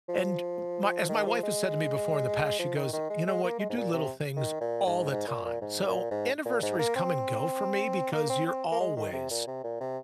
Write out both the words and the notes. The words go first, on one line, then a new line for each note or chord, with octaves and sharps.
and my as my wife has said to me before in the past, she goes, you know what, you do little things all the time. So, anniversaries come and go for me because you're always
F3
D#3
F3
G#3
F3
D#3
D#3
G#3
G#3
A#3
G#3
G#2
A#2
C3
D#3
A#2
G#2
G#2
A#2
A#2
G#2
A#2
G#2
A#2
G#2
A#3
C4
A#3
C4
C4
A#3
G#3
D#3
C3
A#2
C3
A#2
C3